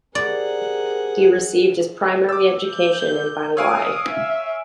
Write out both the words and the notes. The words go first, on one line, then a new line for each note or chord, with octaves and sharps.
He received his primary education in Bangui.
G4 G#4 A#4 C5 D5 F#5
D6 E6
G6
C#5 F5 G#5 D#6 E6 D7
E5